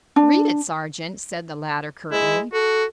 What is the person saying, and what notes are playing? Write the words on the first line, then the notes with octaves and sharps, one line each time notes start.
"Read it, sergeant," said the latter curtly.
D4
G#3 E4
F#4 A4